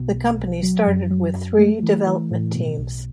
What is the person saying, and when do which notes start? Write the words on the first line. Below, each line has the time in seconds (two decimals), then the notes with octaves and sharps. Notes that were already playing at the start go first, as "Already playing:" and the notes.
The company started with three development teams.
Already playing: B1 B2
0.15 B1
0.39 B1
0.63 F#3
0.87 F#2
1.11 F#3
1.35 F#2
1.59 A3
1.83 E3
2.06 E3
2.31 A2
2.55 B2
2.78 B1